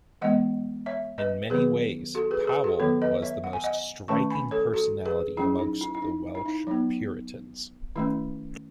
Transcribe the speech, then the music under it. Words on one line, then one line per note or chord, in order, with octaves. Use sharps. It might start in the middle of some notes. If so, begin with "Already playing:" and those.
In many ways, Powell was the most striking personality amongst the Welsh Puritans.
E3 G#3 B3 D#5 F#5
C#5 E5
B4 D#5
D#3 F#3 B3 G#4 B4
F#4 A4
G#4 B4
G#4 B4
F#4 A4
D#3 F#3 B3 A4 C#5
B4 D#5
C#5 E5
F#5
G#5
D#5 F#5
D#3 A3 C#4 A5 C#6
G#5 B5
A4 C#5
F#4 A4
G#4 B4
F#3 C#4 E4 G#4
D#4
E4
E4
D#4
E4
D#4
F#3 B3 D#4
D#3 A3 C#4 E4